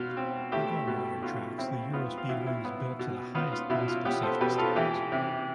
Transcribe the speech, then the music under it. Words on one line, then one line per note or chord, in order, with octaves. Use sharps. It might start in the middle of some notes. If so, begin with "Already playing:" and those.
Like all modern tracks, the EuroSpeedway was built to the highest possible safety standards.
Already playing: B2 F4
C4
A3 E4 G4
B2
B2 F4
C4 E4
B3 F4
F4
B2 E4
E4
B3
B2
B3 F4
F4
B2 E4
F4
B3 G4 B4
A4 C5
B2 G4 B4
F4 A4
E3 E4 G4
C3 E4 G4